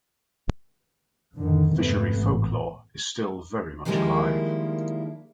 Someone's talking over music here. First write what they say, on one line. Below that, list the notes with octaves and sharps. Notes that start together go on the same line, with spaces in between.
Fishery folklore is still very much alive.
F2 A2 D3 D#3
F2 G#2 C3 A3 B3
A1
D#3 F3 G3 G#3 A#3 E4